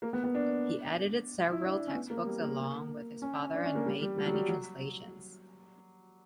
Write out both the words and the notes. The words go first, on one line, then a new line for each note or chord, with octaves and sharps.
He edited several textbooks along with his father and made many translations.
A#3
B3
B3
D4
E4
D4
C#4
B3
A#3
G3
A#3
C#4
D4
C#4
A#3
G3
G3
G3
F#3
G3
F#3